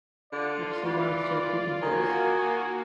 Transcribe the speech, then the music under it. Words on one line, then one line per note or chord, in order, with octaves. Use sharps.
Epson Master Printing Course.
D3 F4 D5
E3 D5
D#3 A#3 F#4 G#5